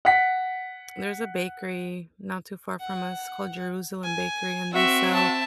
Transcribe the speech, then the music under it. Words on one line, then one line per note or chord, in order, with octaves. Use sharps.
there's a bakery not too far from us called Jerusalem Bakery and they sell,
F#5 B6
F#5
G#5
C4 F#4 E5
E5 A5